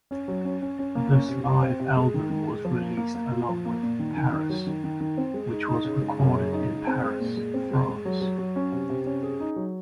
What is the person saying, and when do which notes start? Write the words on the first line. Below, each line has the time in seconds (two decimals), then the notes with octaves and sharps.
This live album was released along with "Paris", which was recorded in Paris, France.
0.11 C#4
0.28 F#3
0.45 C#4
0.62 C#4
0.79 C#4
0.95 A#3
1.12 C#4
1.28 C3
1.46 C3
1.62 C4
1.80 C3
1.97 G#3
2.14 D#3
2.30 D#3
2.48 G#3
2.65 F3
2.81 A#3
2.97 A#3
3.15 A#3
3.32 F4
3.49 F3
3.65 A#3
3.83 A#2
3.99 D#3
4.17 D#3
4.33 D#3
4.49 F#3
4.67 D#3
4.84 D#3
5.01 D#3
5.17 C4
5.34 G#3
5.52 D#4
5.68 D#4
5.85 C#3
6.02 G#3
6.19 F#2
6.36 C#3
6.53 D#4
6.69 G#3
6.87 C4
7.04 G#3
7.20 A#2
7.37 G#3
7.54 C4
7.71 G#3
7.88 G#3
8.05 F#3
8.21 F#3
8.38 F#3
8.56 C#4
8.72 C3
8.90 C3
9.06 C#4
9.23 G#4
9.40 D#4
9.56 F#3